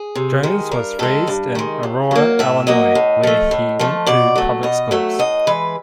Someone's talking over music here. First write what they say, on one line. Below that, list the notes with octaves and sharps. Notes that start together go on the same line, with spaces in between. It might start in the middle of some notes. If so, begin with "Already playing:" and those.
Jones was raised in Aurora, Illinois, where he went to public schools.
Already playing: G#4
C3
D#3 G#3
G2 A#4
D#3 G#3 A4
G2
D#3 G#3
A2
F#3 A#3
A2 E5
F#3 A#3 D#5
A2
F3 A3
A2
F3 A3
B2 D5
F#3 A3
B2 D#5
F#3 A3 E5
A2 D#5
E3 G#3 B4